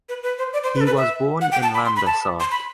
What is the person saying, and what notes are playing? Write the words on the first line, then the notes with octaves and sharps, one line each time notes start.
He was born in Lambersart.
B4
B4
C5
D5
C5
B4
A4
B4
E5
F#5
G5
A5
B5
C6
B5
A5
C6
B5